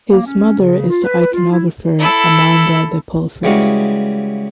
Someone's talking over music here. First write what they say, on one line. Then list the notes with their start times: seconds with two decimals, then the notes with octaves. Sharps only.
His mother is the Iconographer Amanda de Pulford.
0.11 A#3
0.25 C#4
0.59 C#3
0.89 F4
1.04 B4
1.32 F4
1.51 E4
1.99 E4 A4
3.43 C#3 E3 G3 G#3 F#4 F5